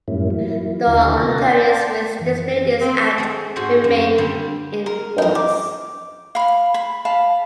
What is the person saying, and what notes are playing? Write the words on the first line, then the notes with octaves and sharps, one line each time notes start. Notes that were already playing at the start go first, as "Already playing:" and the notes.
The Ontarians with Disabilities Act remains in force.
F#2 A2 G3 A#3 C#4 E4
E3 F#3 A#3 E4
D#2 D3 E4 F#4
C3 F4 D#5 F#5 A6 A#6
D5 G5 A5 C6
F#2 E3
C4
G#3 C4 F#4 A4
G#2 C4 F#4 C5 F#5 G#5
F#2
D3 G3 C4
A#4
D#4 A#4
D6
F5 B5
B5
F5 A5 B5